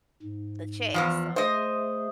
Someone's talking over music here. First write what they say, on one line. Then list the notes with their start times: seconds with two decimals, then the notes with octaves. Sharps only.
the check, so
0.23 G#2
0.94 E2 G#2 F3
1.36 A3 G#4 C5 D#5